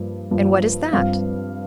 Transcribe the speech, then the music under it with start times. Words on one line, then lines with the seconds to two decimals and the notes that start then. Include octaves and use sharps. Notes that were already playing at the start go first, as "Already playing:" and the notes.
"And what is that?"
Already playing: G2 F3 A#3
0.31 G2 F3 A#3
0.92 G2 F3 C4 F5